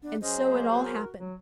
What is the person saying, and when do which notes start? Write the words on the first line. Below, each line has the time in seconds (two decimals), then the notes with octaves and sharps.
And so it all happened.
0.03 D2 B3 D4
0.22 F#3 C#4 G#4 C5 D#5
0.48 A#3
0.71 F#4
0.84 A#4
1.19 F#3